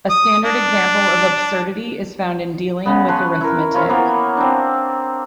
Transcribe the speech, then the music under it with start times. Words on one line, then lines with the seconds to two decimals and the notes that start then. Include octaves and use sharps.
A standard example of absurdity is found in dealing with arithmetic.
0.10 D#6
0.45 D4
2.86 C#3 B3
3.08 B4 C#5 A5 C6
3.41 E4 A#4
3.74 F3 F4 C#5 B5
3.89 E3 A#3 B3
4.37 C4 D4